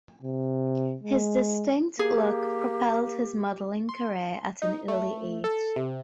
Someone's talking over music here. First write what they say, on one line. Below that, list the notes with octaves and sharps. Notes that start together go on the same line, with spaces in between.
His distinct look propelled his modeling career at an early age.
C3
G#3
A#3 G4 G#4
C6
D#4
A3
A4
C3